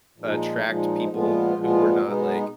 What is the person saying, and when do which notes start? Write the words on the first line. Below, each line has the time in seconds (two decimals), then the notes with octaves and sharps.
attract people who were not, like,
0.18 A#2 F3 G#3 D#4
0.63 A#2 F3 G#3 D#4
1.08 A#2 F3 G#3 B3 F4
1.55 A#2 F3 G#3 B3 F4
2.01 B2 G#3 B3 D#4